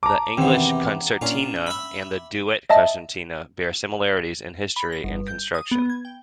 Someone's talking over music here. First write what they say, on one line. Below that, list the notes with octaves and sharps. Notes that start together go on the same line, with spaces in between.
The "English concertina" and the "Duet concertina" bear similarities in history and construction.
A5 A#5 D6
E2 C3 D#3 C4 C#4 F#5 G5
A#2 C#4 D4 F4
E5 B5
D#5 E5 A5
B5
A#6
G1
G6
D#6
B3
G#6
G5